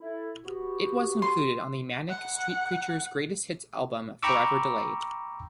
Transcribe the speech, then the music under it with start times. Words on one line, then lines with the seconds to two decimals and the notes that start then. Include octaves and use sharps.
It was included on the Manic Street Preachers' Greatest Hits album, "Forever Delayed".
0.01 E4 A4
0.44 B3 F#4 G4
1.22 C6
2.09 F#5
4.23 G5 A#5 B5 C#6 D6 E6